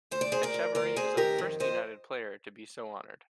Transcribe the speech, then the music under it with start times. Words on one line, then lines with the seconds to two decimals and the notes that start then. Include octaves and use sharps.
Etcheverry is the first United player to be so honored.
0.11 D2 C5
0.21 D5
0.32 D2 G#4 C5
0.43 A#4 D5
0.54 D2
0.75 D2 A#4 D5
0.96 D2 G#4 C5
1.17 D#3 G4 A#4
1.38 F2
1.60 F2 C5 D#5